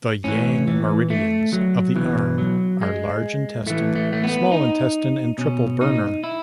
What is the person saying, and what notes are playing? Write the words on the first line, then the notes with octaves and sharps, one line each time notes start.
The Yang meridians of the arm are Large Intestine, Small Intestine, and Triple Burner.
A2 E3 C#4
E3
A3
F#3
B2 E3
F#3
G#3
A2 E3 A3
A3
A3
B3
D#4
B2 C#4
D#4
E4